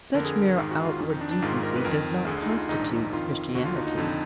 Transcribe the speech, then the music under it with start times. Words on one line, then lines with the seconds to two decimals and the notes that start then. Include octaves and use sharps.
Such mere outward decency does not constitute Christianity.
0.14 F2 D3 A#4
0.25 G#4
0.36 A#4
0.56 G#1 G#2 D#3 G#4
0.71 F#4
0.85 F4
0.99 F2 D#3 D#4
1.10 D#4
1.21 D4
1.31 D4
1.42 G#1 G#2 D#3 F4
1.63 A#4
1.76 B4
1.85 F2 D#3 A#4
2.27 D2 D3 G#4
2.43 D#4
2.48 F4
2.69 A#1 G#2 D#3 D#4
2.79 D4
2.88 D#4
3.13 F2 D#3 F4
3.55 D#2 D3 F#4
3.65 F4
3.76 D#4
3.87 D#4
3.97 F2 D3